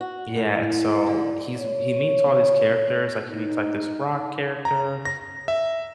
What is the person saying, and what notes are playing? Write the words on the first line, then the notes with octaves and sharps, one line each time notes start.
yeah, and so he's m he meets all these characters, like, he meets, like, this rock character,
F#4
A2
D3
C#5
D#4
A#5
A#6
E5